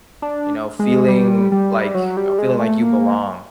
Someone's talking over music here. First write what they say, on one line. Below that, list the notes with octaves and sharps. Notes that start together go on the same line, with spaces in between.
you know, feeling like, y know, feeling like you belong,
D4
G#3
G3
G3
F#3
G3
G#3
A3
A#3